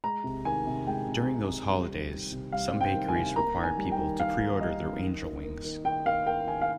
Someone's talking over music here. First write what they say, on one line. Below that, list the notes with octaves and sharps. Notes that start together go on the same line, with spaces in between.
During those holidays, some bakeries require people to pre-order their angel wings.
G#3 A#5
C3
D#3 G#5
C3
G#3 G5
C3
D#3
C3
G3
C4
D#3
C3
G3 F5
C4
G5
D#3
G#5
C3
A#3 A#5
D#3
G#5
G3
G5
D#3
A#3 F5
D#3
G3 D#5
D#3
D#3
A#3
A#3
D#3
D#3 G5
A#3 F5
A#3 G5
D#3 G#5
F5